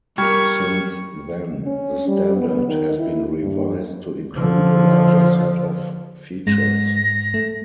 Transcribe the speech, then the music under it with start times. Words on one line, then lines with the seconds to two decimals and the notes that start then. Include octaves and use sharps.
Since then, the standard has been revised to include a larger set of features.
0.18 G3 A#4 G5 C#6 F6 G#6
1.66 C#4
2.07 G3
2.37 B3
2.68 D#3
2.98 E4
3.42 G2
4.35 D3 F3
6.47 G#2 G#3 A#6
7.34 A3